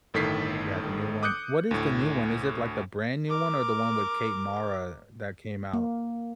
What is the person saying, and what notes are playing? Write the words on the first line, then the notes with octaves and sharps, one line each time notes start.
Yeah. The new one What is the new one? Is it, like, the brand new one or the one with Kate Mara that came out?
G1 A2 D#3 A4 B6 C7
D6 D#6 F#6 G6 C#7
D2 A2
A#4 D6
A#3